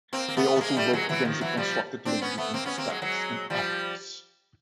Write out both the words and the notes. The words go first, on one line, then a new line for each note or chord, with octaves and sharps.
They also work against the constructed link between aesthetics and ethics.
A#3 C4
A#3
A3 B3
A3
G#3 A#3
G3 A3
F#3 G#3
E3 F#3
D#3 F3
E3 F#3
F3 G3
C4 D4
B3 C#4
A3 B3
A#3 C4
B3 C#4
A#3 C4
F#3 G#3
F#3 G#3
F3 G3